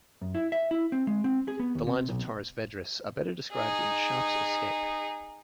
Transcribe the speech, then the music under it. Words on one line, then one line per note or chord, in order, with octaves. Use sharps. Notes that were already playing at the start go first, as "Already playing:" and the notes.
The lines of Torres Vedras are better described in "Sharpe's Escape".
F#2
E4
E5
E4
C4
G#3
C4
G#4
B3
D#2
C3
B1
D#4 G#4